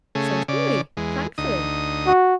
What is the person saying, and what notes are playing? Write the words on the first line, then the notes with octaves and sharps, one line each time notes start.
'Certainly; thankfully.
C#3 A3 G#4
C#3 D5
E2 G#3
D2 D#4 D#6
F#4